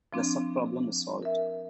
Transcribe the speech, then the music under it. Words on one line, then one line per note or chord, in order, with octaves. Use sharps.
The subproblem is solved.
F3 C4 D4
A#4 E5